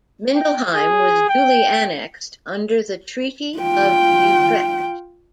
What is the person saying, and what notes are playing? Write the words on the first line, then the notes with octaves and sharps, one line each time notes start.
Mindelheim was duly annexed under the Treaty of Utrecht.
G5
G#4
G5
F4 G5